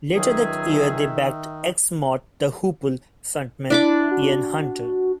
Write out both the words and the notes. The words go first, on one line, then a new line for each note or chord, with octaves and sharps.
Later that year they backed ex-Mott the Hoople frontman Ian Hunter.
C#2 D#3 F#3 G#4 E5
D4 E4 B5 D6
F#4